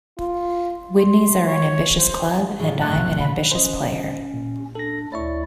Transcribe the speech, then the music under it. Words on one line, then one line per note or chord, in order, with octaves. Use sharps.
Widnes are an ambitious club and I'm an ambitious player.
F4
C6
C#5
C5
A2 E3 F3 G#3 F4
G1 A3 C4 F4 C#6 F#6 A6
B1 A2 C3
D#3
A#2 F4 B5
C#4 C5 D#5
A#2
D4 A4 A#6
D2 E4 C#5 D5 E5 C#6